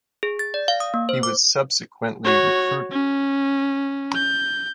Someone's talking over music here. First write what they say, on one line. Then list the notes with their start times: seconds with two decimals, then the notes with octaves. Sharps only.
He was subsequently recruited.
0.23 G#4
0.39 A6
0.54 D5
0.68 F5
0.80 D#6
0.94 A#3
1.09 C5
1.23 D6
2.25 F#4 C#5
2.91 C#4
4.15 G6